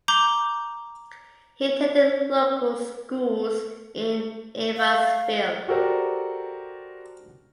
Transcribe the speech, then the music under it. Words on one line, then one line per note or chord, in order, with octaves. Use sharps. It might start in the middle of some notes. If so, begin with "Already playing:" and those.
He attended local schools in Evansville.
A#5 D6 G6 G7
F5
F#4 G4 A4 A#4 C5 D5